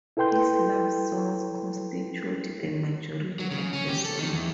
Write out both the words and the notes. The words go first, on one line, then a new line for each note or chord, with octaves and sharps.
His love songs constitute the majority of the songs.
E4 A4 B4 G5 C6 G6
F#3
C#3
C#4
G4
A4
D#3
E2